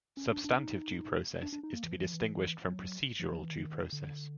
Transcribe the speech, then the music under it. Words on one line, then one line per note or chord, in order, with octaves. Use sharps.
Substantive due process is to be distinguished from procedural due process.
C#4
D4
D4
D#4
D4
D4
D#4
A#3
E3
F3
E3
F3
E3
F3
E3
F#3
F3
F3
E3
D#3
D3